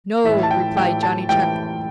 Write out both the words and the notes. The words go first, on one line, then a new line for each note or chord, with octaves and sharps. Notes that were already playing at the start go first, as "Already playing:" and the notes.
"No," replied Johnny Chuck.
A2 E3 E5
A5
G5
A2 E3 G5
A5
A2 E3 G5